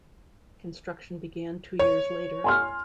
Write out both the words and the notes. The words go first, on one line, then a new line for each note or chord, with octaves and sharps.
Construction began two years later.
C#5
G#5 C6 F6